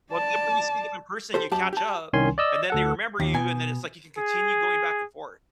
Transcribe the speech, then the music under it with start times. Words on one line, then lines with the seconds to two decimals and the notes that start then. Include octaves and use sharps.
well, then when you see them in person, you catch up, and then they remember you, and then it's like you can continue going back and forth.
0.12 D5 A5
1.34 G4 A4 C5
1.51 F#2 G4 G5 A5
1.73 G4 A5
2.13 C2 D#3 C#4 G#5 C6
2.38 D5 D#5 E6
2.70 D2 A4 F#5
3.20 D#2
3.34 B2 G#5
4.18 G#4